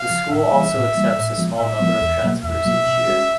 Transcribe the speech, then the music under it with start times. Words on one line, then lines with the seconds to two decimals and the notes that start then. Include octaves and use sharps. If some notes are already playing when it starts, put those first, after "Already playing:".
The school also accepts a small number of transfers each year.
Already playing: F5
0.10 C#3 F3
0.31 A2 E5
0.52 E3 G3 A#3
0.74 A2
0.95 E3 G3 A#3
1.16 A2
1.38 F3 G#3 B3
1.58 A2 E5
1.80 F3 G#3 B3
2.01 E2
2.22 B2 F#3 A#3
2.43 E2 E5
2.65 B2 F#3 A#3
2.87 B2
3.07 G#3 C#4 F#4